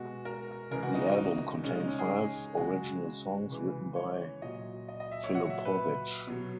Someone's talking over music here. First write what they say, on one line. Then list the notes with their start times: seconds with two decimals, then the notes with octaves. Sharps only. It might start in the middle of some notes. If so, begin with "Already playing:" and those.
The album contained five original songs written by Filipowicz.
Already playing: B2 G#3 F#4
0.25 A#4
0.71 C#3 E3 G#3 A#4
0.83 F#4
0.95 D#4
1.06 D#4
1.18 D#4
1.64 C#3 G#3 C#4
1.75 D#4
1.87 C#4
1.99 G#4
2.57 C#3 G#3 F#4
3.49 C#3 E3 G#3
3.96 C#5
4.42 A#2 F#3 D#5
4.88 D#5
5.00 D#5
5.12 E5
5.24 C#5
5.35 A#2 F#3 F#5
5.50 E5
5.65 B4
6.27 B2 F#3